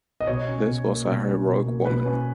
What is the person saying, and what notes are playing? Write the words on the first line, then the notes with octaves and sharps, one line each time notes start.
This was a heroic woman.
D#5
B2 C#5
C#4
B2
A#3
B2
C#4
B2
A#3
B2 B4
C#4